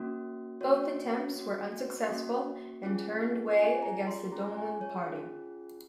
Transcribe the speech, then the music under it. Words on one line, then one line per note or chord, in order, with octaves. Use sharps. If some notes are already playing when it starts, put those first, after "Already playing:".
Both attempts were unsuccessful, and turned Wei against the Donglin party.
Already playing: A#3 C#4 F#4
A#3 C#4 F#4 C#5
A#3 C#4 F#4
A#3 C#4 F#4
C#4 F4 G#4
C#4 F4 G#4 G#5
A#5
C6
C#4 F4 G#4 A#5
G#5
C#5
C#4 F4 G#4